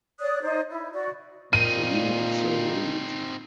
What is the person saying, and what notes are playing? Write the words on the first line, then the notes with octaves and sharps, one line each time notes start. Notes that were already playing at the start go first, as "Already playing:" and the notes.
Dream of the Rood.
C#5 D5 D#6 F#6
D#4 C5 D5
E4
F#4 D5
A#2 C4 D#4 D#7